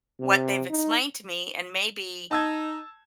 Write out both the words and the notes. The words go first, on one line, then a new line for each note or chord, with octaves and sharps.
what they've explained to me, and maybe,
C3
D#4
D#4 A5 E6 G#6